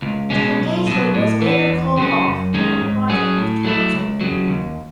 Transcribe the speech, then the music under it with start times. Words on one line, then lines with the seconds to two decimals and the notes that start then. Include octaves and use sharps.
The engagement was later called off and the project was cancelled.
0.02 C#2
0.30 B2 G#3 C#4
0.59 B1
0.87 B2 F#3
1.14 A2
1.42 E3 B3
1.70 E2
1.97 C#3 F#3 C#4
2.26 F#2
2.54 D#3 G#3 C#4
2.81 G#2
3.09 F#3 C#4 G#4
3.38 A2
3.65 F#3 A3 E4
3.93 C#2
4.21 C#3 F#3
4.48 D#2